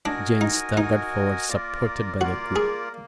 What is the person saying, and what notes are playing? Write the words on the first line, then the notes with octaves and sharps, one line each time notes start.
Jane staggered forward supported by the cook.
D4 F#4 A#4 D#5 G#5
D#4
D#4 F#4 A#4 D#5 G#5
A#3 F4 A#4 D5
A#3 F4 F#4 A#4 D5
G#4
A#3